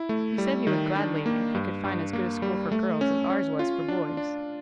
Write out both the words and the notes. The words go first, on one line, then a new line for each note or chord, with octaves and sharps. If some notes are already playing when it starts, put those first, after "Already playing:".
He said he would gladly if he could find as good a school for girls as ours was for boys.
Already playing: E4
A3
G3
D#3
D4
A#3
G2
G2
A#3
G3
A3
C#4
C#4
F4
D4
D4